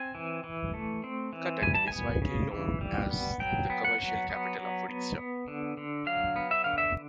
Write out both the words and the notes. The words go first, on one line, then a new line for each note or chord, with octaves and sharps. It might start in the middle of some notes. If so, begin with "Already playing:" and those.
Cuttack is widely known as the commercial capital of Odisha.
Already playing: C4 G#5
E3
E3
A3
C4
E3
G3 G#5
A5
B3 G#5
C#3
E3
G3
B3
F#3 G5
B3
F#5
F#3
B3
F#3
B3
B3
D3
D3
F#3 F5
B3
E5
D3 F5
E5